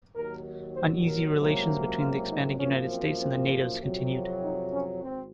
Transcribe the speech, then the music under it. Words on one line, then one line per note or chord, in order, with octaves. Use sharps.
Uneasy relations between the expanding United States and the natives continued.
D#2 D#3 F#3 A#4
C5
A#4
C#2 C3 F#3 A#3
F4
D#4
F#2 F3 A#3 C#4
C4
C4
F2 C3 F#3
D#4
C#4
G#1 C4